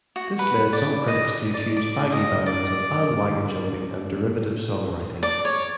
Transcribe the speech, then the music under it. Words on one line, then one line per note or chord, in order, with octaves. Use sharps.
This led some critics to accuse baggy bands of bandwagon-jumping and derivative songwriting.
F#4
B4
D5
D#5
D5
D5
D#5
D5
D5
C#5